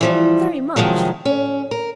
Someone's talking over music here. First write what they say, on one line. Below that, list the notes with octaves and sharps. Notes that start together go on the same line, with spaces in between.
"Very much!"
E3 F3 G3
C3 D#3 F3 F#3 G#3
C#4
A#4